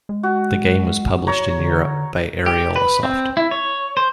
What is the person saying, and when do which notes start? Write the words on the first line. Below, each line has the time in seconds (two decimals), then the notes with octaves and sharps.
The game was published in Europe by Ariolasoft.
0.09 G#3
0.23 F#4
1.27 C#5 A#5
1.59 D3
2.46 G4
2.76 B4
3.03 C4
3.37 E4
3.51 C#5
3.97 C5